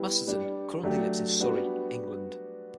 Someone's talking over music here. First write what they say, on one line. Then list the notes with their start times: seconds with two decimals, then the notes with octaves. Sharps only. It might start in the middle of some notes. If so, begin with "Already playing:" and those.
Masterton currently lives in Surrey, England.
Already playing: G3 B3 E4 G4
0.27 G3 D4 G4
0.83 F#3 A3 D4 G4
1.40 G3 B3 D4 F#4